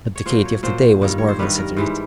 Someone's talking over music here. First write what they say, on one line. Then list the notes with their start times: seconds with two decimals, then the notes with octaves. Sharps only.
But the Katy of to-day was more considerate.
0.16 C#5
0.26 A#2 F#3 C5
0.45 C#5
0.63 A#2 F#3 C5
1.02 G2 D#3 G3
1.18 C#5
1.28 C5
1.39 G2 D#3 G3 B4
1.58 A#4
1.76 G#2 E3 G3 C5